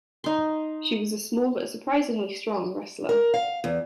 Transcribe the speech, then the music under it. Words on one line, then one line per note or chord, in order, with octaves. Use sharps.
She was a small but surprisingly strong wrestler.
D#4 C6
A#4
F5
E2